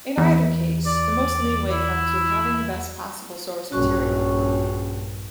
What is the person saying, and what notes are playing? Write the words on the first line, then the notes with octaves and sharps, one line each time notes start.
In either case, the most leeway comes with having the best possible source material.
E2
D5
E4
A#1 G2 C#4 F#4 C#6